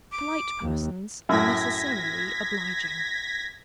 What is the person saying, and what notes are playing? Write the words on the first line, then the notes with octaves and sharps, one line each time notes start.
Polite persons are necessarily obliging.
D6
D#2
F#2 A2 G#6 A#6 B6